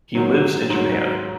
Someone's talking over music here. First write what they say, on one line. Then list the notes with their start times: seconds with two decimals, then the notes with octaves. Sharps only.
He lives in Japan.
0.15 G#2 D#3 F#3
0.70 G#2 D#3 F#3